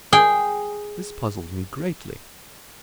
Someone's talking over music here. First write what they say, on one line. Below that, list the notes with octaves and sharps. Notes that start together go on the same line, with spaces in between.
This puzzled me greatly.
G#4 G5